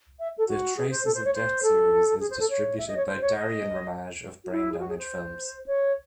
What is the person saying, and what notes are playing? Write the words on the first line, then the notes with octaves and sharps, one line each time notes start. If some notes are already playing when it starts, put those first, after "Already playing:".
The "Traces of Death" series is distributed by Darrin Ramage of Brain Damage Films.
E5
A4
F#4
G#4
C5
A4
C5
C#5
C5
A4
G#4
C5
A4
C#5
E5
D#5
C#5
C5
C#5
D#5
F#4
E4
G#4
F#4
G#4
C5
C#5